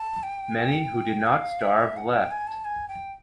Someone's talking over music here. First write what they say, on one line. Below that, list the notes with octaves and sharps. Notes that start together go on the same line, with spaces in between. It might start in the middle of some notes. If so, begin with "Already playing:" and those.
Many who did not starve left.
Already playing: A5
G5
F5
E5
F#5
G5
G#5
A5
G#5
G5